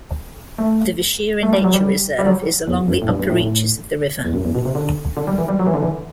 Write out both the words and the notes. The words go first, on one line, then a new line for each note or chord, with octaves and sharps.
The Vishera Nature Reserve is along the upper reaches of the river.
A3
A3
G3
F#3
G3
G3
F#3
E2
F#2
A2
G2
G2
A2
A2
E2
F#2
E2
B2
C3
D3
D3
G3
E3
G3
F#3
E3
D3
E3